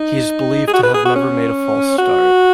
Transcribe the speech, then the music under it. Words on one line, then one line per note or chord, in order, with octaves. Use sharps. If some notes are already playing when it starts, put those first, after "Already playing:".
He is believed to have never made a false start.
Already playing: D#4
G#4
F#4
B4
G#4
F#4
C#4
F#4